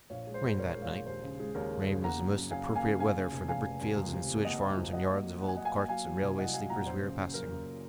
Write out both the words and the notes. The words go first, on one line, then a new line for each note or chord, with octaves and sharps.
It rained that night; rain was the most appropriate weather for the brickfields and sewage-farms and yards of old carts and railway-sleepers we were passing.
A#1 C#5 F5
G#3
C5
A#1
A#1 A#4 C#5
G#3
C#5 F5
A#1
D#2 C5
C#3
G#3
D#2 A#4 C#5
G#3
C#3
A#3 F#5 A#5
F#2
F#2
C#3 F5 G#5
A#3
F5 G#5
C#3
C#3 F5 G#5
C#3
F1
F1 F5 G#5
F1
D#2
C#2
C3
A#3
A#3 D#5 F#5
A#3
F3
F#3 D#5 F#5
A#3
F#3
F#3 F#5
G#5
F#3 D#5 F#5
F5 G#5
A#3
F#3 F5 G#5
F#3
C2
C2 D#5 F#5
F#3 F5 G#5
A#2 F#5 A#5
F#2 C5
C#3
C#3
F#2 A#4
C#3